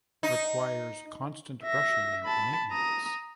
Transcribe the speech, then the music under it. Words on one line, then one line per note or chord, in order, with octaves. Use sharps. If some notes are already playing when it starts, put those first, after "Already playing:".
Requires constant brushing and maintenance.
D#4
E5 A#6
A5 B5
A#5 D#6